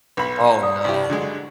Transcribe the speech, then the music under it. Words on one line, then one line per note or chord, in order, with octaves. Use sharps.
Oh, no.
B1 B4 B5
D5 D#6
C2 G4 D5
D3 F#3 G#3